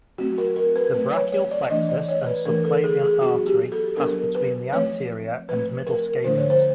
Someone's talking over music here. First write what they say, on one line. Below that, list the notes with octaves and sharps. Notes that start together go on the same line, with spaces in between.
The brachial plexus and subclavian artery pass between the anterior and middle scalenes.
F#3 A3 C4 F#4
A#4
A#4
B4
F#3 A3 C4 B4
C#5
C#5
D5
E3 A3 D4 D#5
D5
C#5
B4
E3 A3 D4 A#4
A4
G#4
G#4
F#3 B3 D4 F#4
G4
A4
F#3 B3 D4 A#4
B4
F3 A3 C4 C#5
F3 A3 C4 B4
A#4
D3 F3 A3 D4 C5
C#5
C5